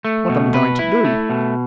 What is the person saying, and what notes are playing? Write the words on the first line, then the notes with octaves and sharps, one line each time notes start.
"What um going to do?"
A3
B2
B4
E4
A3
B2